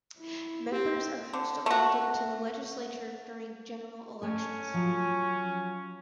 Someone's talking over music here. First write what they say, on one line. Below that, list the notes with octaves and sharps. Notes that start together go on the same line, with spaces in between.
Members are first elected to the legislature during general elections.
E4
C4 G4
D3
A3 F#4
A3 C#4 C#5
F3 F#3